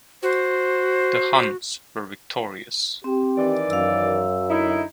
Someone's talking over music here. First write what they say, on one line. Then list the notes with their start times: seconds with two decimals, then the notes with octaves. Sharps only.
The Huns were victorious.
0.23 F#4 C5
3.04 C4 G4
3.38 D#3 E3 D5
3.70 F#2 F5 E6
4.49 D3 D#4 E4